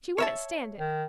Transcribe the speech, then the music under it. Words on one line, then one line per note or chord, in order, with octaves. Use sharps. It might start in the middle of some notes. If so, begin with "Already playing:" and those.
She wouldn't stand it.
C#5 E5 A5
D#3